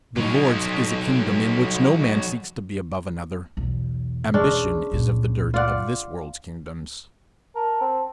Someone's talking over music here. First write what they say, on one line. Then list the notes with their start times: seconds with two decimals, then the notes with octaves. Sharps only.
The Lord's is a kingdom in which no man seeks to be above another: ambition is of the dirt of this world's kingdoms.
0.16 F#3 D#4
3.57 B1 E2
4.34 G#3 C#4 D4
4.92 C#2 A#2
5.54 F4 D5 F#5
7.55 A#4 A5
7.81 C4